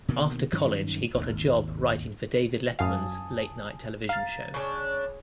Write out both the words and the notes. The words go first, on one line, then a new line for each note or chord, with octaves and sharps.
After college he got a job writing for David Letterman's late night television show.
B2 D#3 A#3
G2 D#3 F#3 C#4
G#1 D#2
F#2 F5 G#5 A5 D#6
F5 A#5 A6
C#3 D4 G#4 C#5